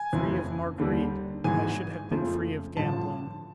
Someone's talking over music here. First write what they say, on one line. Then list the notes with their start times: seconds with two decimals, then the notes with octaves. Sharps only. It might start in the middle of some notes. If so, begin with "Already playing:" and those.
Free of Marguerite, I should have been free of gambling.
Already playing: G#5
0.12 F#1 F2 C#3 E3
0.78 D#2 D3 G3
1.44 G#1 G#2 E3 G#3 G#5
2.11 F2 C#3 F3 A3
2.76 A1 G2 D3 F3 A5